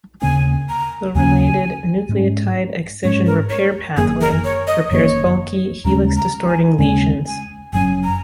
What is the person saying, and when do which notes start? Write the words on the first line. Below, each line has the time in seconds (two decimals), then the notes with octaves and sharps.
The related nucleotide excision repair pathway repairs bulky helix-distorting lesions.
0.22 D#2 C#3 A#3 C#4 G#5
0.69 A#5
1.15 D#2 C#3 A#3 C#4 G#5
2.09 G#2 G#3 C#4
3.03 G#2 G#3 C#4 C#5
3.26 A#4
3.50 C#5
3.97 F#1 F#2 D#3 A#3 G#4
4.21 A#4
4.44 C#5
4.67 D#5
4.91 F#1 F#2 D#3 A#3 C#5
5.85 D#2 C#3 G#3 C#4 A#5
6.16 A#5
6.47 G#5
6.79 D#2 C#3 G#3 C#4 G#5
7.26 G#5
7.73 F#1 F#2 F#3 C#4 G#5
8.04 A#5